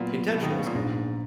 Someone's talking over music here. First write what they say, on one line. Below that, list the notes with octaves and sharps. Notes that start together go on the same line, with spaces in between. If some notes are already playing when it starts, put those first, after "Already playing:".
Intentionally so
Already playing: A#2 F#3 B3
B2 B3
D#3
C#3
B2
A#2
A#1 G#2